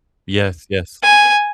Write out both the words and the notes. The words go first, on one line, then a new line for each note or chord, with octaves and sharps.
Yes, yes.
G#5